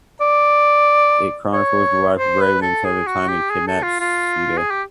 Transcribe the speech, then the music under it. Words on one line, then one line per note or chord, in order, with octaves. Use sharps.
It chronicles the life of Ravan until the time he kidnaps Sita.
D5
C#5
C5
B4
A4
G#4
F#4
G4
G#4
A4
F4
F4
G#4
G4